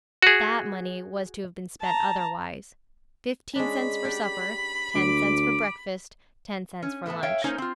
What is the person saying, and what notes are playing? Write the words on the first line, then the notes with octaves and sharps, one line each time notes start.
That money was to have been spent otherwise--fifteen cents for supper, ten cents for breakfast, ten cents for lunch.
F#4 G#4
A5 A#5
G#3 C#4 D4 B5
D4 G4
D2 D6
C#4
A2 A3 B3 A5
C#5 E5 F5 G5
A#3 C#4 D#4 C5 C#5 G#5
C4 F4